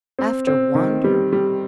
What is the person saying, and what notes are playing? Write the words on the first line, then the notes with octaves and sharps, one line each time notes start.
After Wander?
C4
C4
D#3
G3
G3